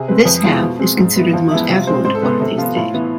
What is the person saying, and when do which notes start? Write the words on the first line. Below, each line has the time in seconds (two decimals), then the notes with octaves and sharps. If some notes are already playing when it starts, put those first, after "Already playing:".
This half is considered the most affluent part of the estate.
Already playing: C3 G#4
0.08 G#3 C4 B4
0.25 F2 B4
0.44 E3 G#3 B3 F4
0.61 B2
0.79 G#3 C4
0.97 G#2
1.16 E3 B3
1.33 F2 F4
1.51 E3 G#3 B3 E4
1.69 C3 F4
1.87 G#3 C4 C5
2.04 G#2 C5
2.15 A4
2.22 G#3 B3 B4
2.40 C3 A4
2.58 F3 B3 F4
2.76 A2 F4
2.94 E3 B3